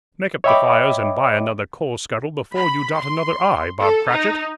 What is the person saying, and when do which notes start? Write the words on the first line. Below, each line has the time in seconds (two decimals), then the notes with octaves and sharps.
Make up the fires and buy another coal-scuttle before you dot another i, Bob Cratchit!'
0.44 C#5 D#5 E5 G5 B5 D6
2.54 B5
2.96 C6
3.79 A4
4.08 D#4